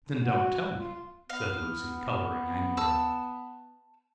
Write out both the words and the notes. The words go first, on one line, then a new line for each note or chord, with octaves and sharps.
"Then don't tell me," said Lucy, coloring angrily.
F#4
F4
B3 F5
A5 E6